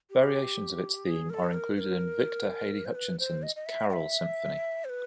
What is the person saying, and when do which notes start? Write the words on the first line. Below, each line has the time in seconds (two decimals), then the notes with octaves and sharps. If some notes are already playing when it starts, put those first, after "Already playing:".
Variations of its theme are included in Victor Hely-Hutchinson's "Carol Symphony".
0.11 G4
1.06 G#4
1.30 A#4
1.34 A4
1.54 A#4
1.76 B4
1.80 A#4
2.85 C5
2.95 B4
3.19 C5
3.43 D#5
3.56 D#5
3.66 E5
3.90 G5
3.93 E5
4.85 C5
4.89 B4